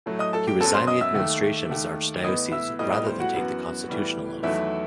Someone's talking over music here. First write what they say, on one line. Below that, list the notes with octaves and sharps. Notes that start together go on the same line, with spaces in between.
He resigned the administration of his archdiocese rather than take the constitutional oath.
A2 F#3 A3
D#5 D#6
A4 A5
G4 G5
F#2 F#3 B3 A4 A5
C5 C6
D#5 D#6
E5 E6
D#2 D#3 A3
D#2 D#3 A3
A2 E3 B3 D#5 D#6
E5 E6
A2 G3 B3 D#5 D#6
D#5 D#6
C5 C6
F#4 F#5
F#2 E3 B3
A2 E3 G3 B3
E2 D#3 F#3 A3 E4 E5